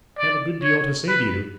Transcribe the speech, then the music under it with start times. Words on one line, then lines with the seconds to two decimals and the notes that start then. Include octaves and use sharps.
I have a good deal to say to you.'
0.18 D5
0.63 C#5
1.08 B4